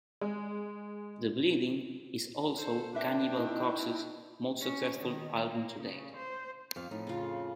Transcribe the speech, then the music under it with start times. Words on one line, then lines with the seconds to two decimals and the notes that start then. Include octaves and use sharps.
"The Bleeding" is also Cannibal Corpse's most successful album to date.
0.21 G#3
2.55 A4 C5
2.94 D4 B4 E5 G5
3.37 D#4 E4 D#5
4.60 C#4
5.00 D#3
5.51 A#3
5.81 C#3
6.17 C5
6.76 F2 F5
6.91 F2 A2 D#4
7.07 C#3 F4